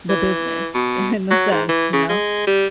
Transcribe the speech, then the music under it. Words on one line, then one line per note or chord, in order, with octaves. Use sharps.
the business in the sense, you know?
E3
B2
F#3
G#2
E3
C#3
G#3
G3